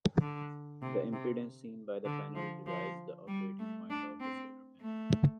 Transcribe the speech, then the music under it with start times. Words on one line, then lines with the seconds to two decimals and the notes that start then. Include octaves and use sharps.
The impedance seen by the panel derives the operating point of the solar panel.
0.21 D3
0.82 C3
1.13 C3
2.05 D3
2.35 F3
2.67 F3
3.27 G3
3.59 A3
3.90 D4
4.20 C4
4.81 A3